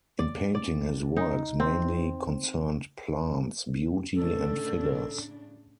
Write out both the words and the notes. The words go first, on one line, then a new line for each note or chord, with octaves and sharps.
In painting his works mainly concerned plants, beauty, and figures.
D5
D5
D#4
C4
A2 C#3 D4 A4